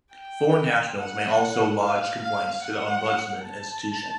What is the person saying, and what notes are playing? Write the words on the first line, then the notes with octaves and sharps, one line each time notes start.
Foreign nationals may also lodge complaints to the Ombudsman Institution.
G5
F#5
F5
F5
F#5
A5